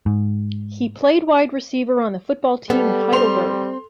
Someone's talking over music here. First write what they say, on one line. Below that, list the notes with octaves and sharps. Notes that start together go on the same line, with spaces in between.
He played wide receiver on the football team at Heidelberg.
G#2
G3 B3 A4
C4 C6 F7